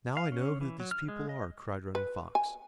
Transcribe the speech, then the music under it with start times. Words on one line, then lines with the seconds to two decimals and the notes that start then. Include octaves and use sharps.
"Now I know who these people are," cried Running Fox.
0.17 F5
0.32 C#4
0.61 E3
0.80 F#3
0.91 F6
1.08 G#3
1.29 D#5
1.95 B4
2.35 G#5